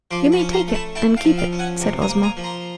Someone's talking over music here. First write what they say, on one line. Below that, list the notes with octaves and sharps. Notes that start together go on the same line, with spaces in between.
"You may take it and keep it," said Ozma.
F3 C6 D6
B5 C#6
C#4
A#5 C6
A3
A5 B5
E4 G5 A5
F5 G5
F3
F5 G5
C#4
F#5 G#5
C3
G#5 A#5
A#3
G#5 A#5
F3
A#5 C6